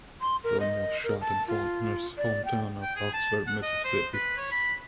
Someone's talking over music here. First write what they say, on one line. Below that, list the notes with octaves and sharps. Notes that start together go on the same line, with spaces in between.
The film was shot in Faulkner's home town of Oxford, Mississippi.
C6
A#4
D#5
A#4
A5
F4
D5
G5
G5
G#4
A5
F#5
D#5
C5
B4
C#5
B5